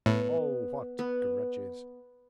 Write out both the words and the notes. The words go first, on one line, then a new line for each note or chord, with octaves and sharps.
Oh, what grudges!
A2 B3
B3